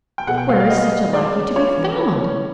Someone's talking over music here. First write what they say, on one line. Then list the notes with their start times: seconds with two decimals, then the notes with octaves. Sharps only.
"But where is such a lackey to be found?"
0.18 G5
0.27 B2 F#5
0.38 G5
0.49 G3 F5
0.60 F5
0.70 B3 D#5
0.92 G3
1.13 G#3 D5
1.35 C#4
1.55 F4 C#5
1.78 E3
1.98 E4
2.20 C#4